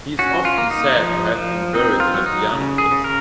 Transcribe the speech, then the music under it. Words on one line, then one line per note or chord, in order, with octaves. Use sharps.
He is often said to have been buried in a piano case.
C#4 F#4
F4
A#3
D#4
F3
F3
C4 D#4
F4
F#3
D#4
C#3
G#4
C#3
A#4